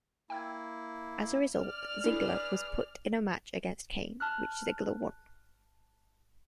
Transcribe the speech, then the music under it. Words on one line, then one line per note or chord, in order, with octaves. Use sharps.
As a result, Ziggler was put in a match against Kane, which Ziggler won.
A#3 E4 G5 E6 G#6
D5 F6
D4 E4 G#4 A4 B4
A5 F6 F#6